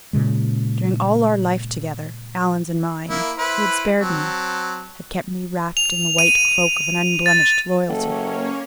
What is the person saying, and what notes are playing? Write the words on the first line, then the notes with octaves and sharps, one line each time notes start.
During all our life together, Allan's and mine, he had spared me, had kept me wrapped in the white cloak of an unblemished loyalty.
A#2 C#3 G#3
A#3 E4
E4 B4 C5
F#3 C4 A5
F7
D#7
A6
F#1 A#3 C#4 A4 C#5